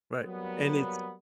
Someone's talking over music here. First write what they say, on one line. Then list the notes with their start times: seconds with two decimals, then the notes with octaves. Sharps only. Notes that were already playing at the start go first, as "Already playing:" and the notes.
Right. And it's
0.24 F#3 G3 A#3 B3